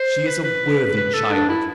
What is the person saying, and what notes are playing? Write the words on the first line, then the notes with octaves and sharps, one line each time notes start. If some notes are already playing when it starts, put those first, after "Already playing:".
She is a worthy child.
Already playing: C5
B4
B4
B4
A4
D4
E4